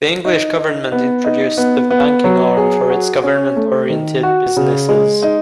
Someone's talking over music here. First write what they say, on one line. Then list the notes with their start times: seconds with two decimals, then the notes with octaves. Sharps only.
The English government introduced the banking arm for its government-oriented businesses.
0.25 D#4
0.58 D#4
0.92 B3
1.24 D#4
1.58 B3
1.91 B3
2.24 F#3
2.57 G#4
2.90 F#4
3.23 C#4
3.56 A3
3.90 D#3
4.23 F#4
4.57 C#3
4.89 G#3
5.23 D#4